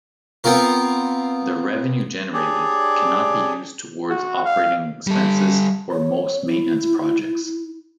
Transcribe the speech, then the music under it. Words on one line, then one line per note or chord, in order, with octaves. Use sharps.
The revenue generated cannot be used towards operating expenses or most maintenance projects.
B3 C4 F4 A#4
D4 G4 G#4 C#5 D5
F#4
F5
G3 A4
C#5
E4